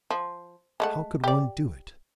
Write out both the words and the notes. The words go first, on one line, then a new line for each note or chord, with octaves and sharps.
How could one do it?
F3
G#3 A3 F#5
G4 D5